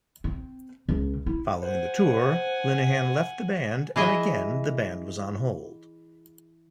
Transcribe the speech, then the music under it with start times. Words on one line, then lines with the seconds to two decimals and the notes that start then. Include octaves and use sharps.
Following the tour, Linehan left the band and again the band was on hold.
0.24 C4
0.89 C#2
1.26 E4
1.62 C5 F#5 G#5
3.96 E3 G#4 D#5 E5